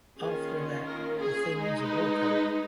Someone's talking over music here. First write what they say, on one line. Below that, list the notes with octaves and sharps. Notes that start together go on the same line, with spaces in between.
After that the thing was a walk over.
D#3 A#3 C#4 F4 G#4
A#4
G#4
G#3 D#4
B4
B4